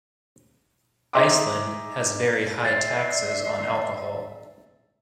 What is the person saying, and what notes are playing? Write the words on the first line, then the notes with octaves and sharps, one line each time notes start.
Iceland has very high taxes on alcohol.
D#4 G#4 D#5 E5 C6 D6
D5 E5 C6 A6